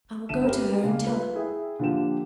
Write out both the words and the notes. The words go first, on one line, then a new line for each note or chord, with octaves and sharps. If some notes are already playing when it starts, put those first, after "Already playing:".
'I will go to her, and tell her.
G1 E5 A5 D#7 E7
G4 A#4 B4
C#3 G#3 A#3
F4 B4
E4 G#4 E5 G5
D3 F3 A#3 G4 G5 E7